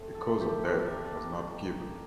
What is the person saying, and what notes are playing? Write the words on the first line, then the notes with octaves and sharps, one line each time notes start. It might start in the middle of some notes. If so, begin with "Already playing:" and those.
A cause of death was not given.
Already playing: D3 A3 C4
A4
A3
G4
C4 G4
A4
A#4
C4 D5